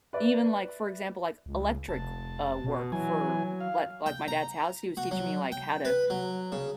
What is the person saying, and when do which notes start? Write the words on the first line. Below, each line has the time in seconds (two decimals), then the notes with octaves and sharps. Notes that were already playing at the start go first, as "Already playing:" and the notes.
even, like, for example, like, electric, uh, work for like like my dad's house, he was teaching me, like, how to
0.13 B4 D5 E5
1.46 C#2
1.89 F1 A5
2.64 B2
2.92 E3 F#3 G#5
3.60 F5
4.06 G5
4.28 A#5
4.97 F#4
5.11 F#3
5.52 G5
5.85 B4
6.10 F#3
6.52 C#3